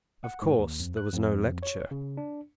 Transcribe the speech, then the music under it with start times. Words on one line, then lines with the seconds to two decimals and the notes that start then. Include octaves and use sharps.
Of course there was no lecture.
0.24 F#5
0.42 G#2
0.58 D#2
0.80 F2
0.97 F#6
1.13 F2
1.63 C#5
1.91 C#3
2.17 D4